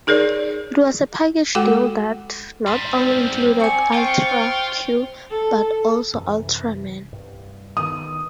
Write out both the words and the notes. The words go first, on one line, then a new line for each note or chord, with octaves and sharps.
It was a package deal that not only included "Ultra Q", but also Ultraman.
D#4 G#4 A#4 C#5 D5
G#3 F#4 A4 F#5 G5 D6
G#2 G3 C6
C4
D5 G#5 C#6
C4 F4 C5 G5
A4
F#2 C3 E3
C2 G2
D#3 B3 D#6